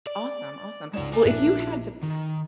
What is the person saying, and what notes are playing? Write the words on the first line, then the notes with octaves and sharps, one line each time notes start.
Awesome, awesome. Well, if you had to
D5
C#2 G#3 D#4 D5 E7
A#4 G#5
A#1 D4 E4 E5
D#3 D#4